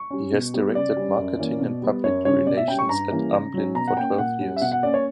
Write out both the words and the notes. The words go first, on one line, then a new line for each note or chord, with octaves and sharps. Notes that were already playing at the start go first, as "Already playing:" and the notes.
He has directed marketing and public relations at Amblin for twelve years.
Already playing: C#6
G3 C#4
B2
G3 B3
C#3 D5
G3 C#4
F#2
E3 A#3 C#4
B2
G3 B3
F#2 C#5
C#3 G3 C#4 C#5
B2 D5
E5
G3 C#4 G5
C#6
G2 A#5
E3 G3 A#3 C#4
C#3
F#3 C#4
B2 A#5
F#5
A#3 C#4 G5
A#2 F#5
G3 C#4
E5
B2 F#5
F#5
A#3 C#4 D5
C#5